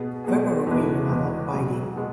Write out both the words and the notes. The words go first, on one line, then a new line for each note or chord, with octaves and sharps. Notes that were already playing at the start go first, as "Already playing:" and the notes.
Verbal agreements are not binding.
Already playing: B2 B3 G#4
B2 B3 G#4
E2 B2 G#3 E4 B4
E2 B2 G#3 E4 B4
B1 B2 G#3 B3
B2 G#3 B3